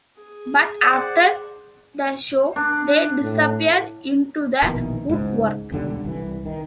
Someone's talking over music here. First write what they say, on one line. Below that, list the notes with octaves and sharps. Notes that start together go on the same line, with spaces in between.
But after the show, they disappeared into the woodwork.
G#4
C5 D5 F#5
D4
A2
A#1 B2 D#3 E3
C#2 G#2
E1 D3 F3 G3
C2 E3
D#3